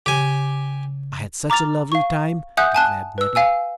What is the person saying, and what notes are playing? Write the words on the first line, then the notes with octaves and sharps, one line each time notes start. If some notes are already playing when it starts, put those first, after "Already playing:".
"I had such a lovely time," declared Nettie.
C#3 G4 G#5
A#5 D6 F6 A6 F7
F5 C#6
E5 F#5 G#5 D#6 F#6 G6
G#5 A5 F#6
B4 E6
F5 G#5 E6